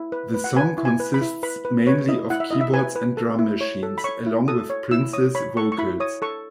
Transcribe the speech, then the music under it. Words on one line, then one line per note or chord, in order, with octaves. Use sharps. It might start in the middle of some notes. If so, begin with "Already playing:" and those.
The song consists mainly of keyboards and drum machines, along with Prince's vocals.
Already playing: E4
B4
B4
F#5
B4 G#5
E4
G#5
B4
B5
E4
B4 B5
B4
B4 C#5
E4 D#5
E4 F#5
E5
E4 D#5
E5
B4 G#5
B4
A4
E4
C#5
A4
B5
C#5 C#6
E4
A4 D#6
C#5
E4 E6
C#5 D#6
C#5 B5
A4 C#6
C#6
E4 B5
C#5 D#6
A4 C#6